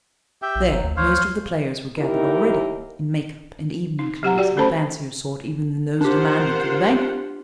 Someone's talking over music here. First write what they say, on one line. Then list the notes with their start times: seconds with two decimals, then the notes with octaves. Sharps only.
There most of the players were gathered already--in make-up and evening clothes of a fancier sort even than those demanded for the banquet.
0.42 G4 E5 G5
0.55 A#1
0.72 G1 F#3
0.83 D2
0.97 D2 C5 C#5 F5
1.98 D#2 D#4 E4 G4 A#4
3.99 D#4
4.23 F#3 G4 F#5 A#5
4.38 F#4 G4 D5 G5
4.57 A3 C#4 A4 C5 A5 B5
6.01 D4 F4 G4 A#4 C5 F#5